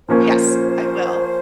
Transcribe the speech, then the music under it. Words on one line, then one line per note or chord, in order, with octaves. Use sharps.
Yes, I will.
A#2 F3 A#3 C#4 C5